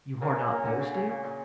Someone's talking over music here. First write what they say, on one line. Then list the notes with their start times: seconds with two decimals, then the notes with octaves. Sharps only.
"You are not boasting?"
0.21 C#3 A#4
0.35 A#2
0.50 A#2 A#4
0.65 D3
0.79 C#3
0.94 C#3
1.09 A#2
1.24 A#2